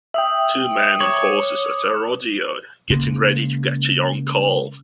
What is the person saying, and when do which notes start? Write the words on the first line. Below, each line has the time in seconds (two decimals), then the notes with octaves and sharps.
Two men on horses at a rodeo getting ready to catch a young calve.
0.14 E5 G5 D#6 F#7
1.01 C#5 D6 C#7
2.90 C#3 G#3 A#3